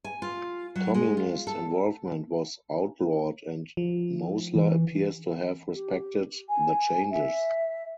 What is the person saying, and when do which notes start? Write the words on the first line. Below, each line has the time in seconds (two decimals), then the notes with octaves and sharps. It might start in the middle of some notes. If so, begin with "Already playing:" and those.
Communist involvement was outlawed and Mosler appears to have respected the changes.
0.04 G#5
0.22 F4
0.76 F#3
0.94 G#3
1.17 F4
1.47 A4
3.77 F3
4.55 E3
5.72 G4
6.49 G#5
7.10 E5